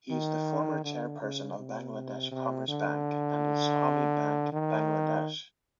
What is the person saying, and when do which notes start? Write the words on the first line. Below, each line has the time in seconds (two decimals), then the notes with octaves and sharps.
He is the former chairperson of Bangladesh Commerce Bank and Islami Bank Bangladesh.
0.11 D#3
0.84 D3
1.21 C#3
1.58 C3
2.31 C3
2.68 D3
4.52 D#3